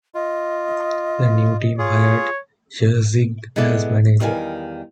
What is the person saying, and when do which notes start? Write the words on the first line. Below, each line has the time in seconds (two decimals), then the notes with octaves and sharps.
The new team hired Sharsig as manager.
0.15 F4 D#5
1.78 F4 G#4 C#5
3.56 G#3 B3 E4 A4 D5
4.20 E2 D#3 G3 F5 G#5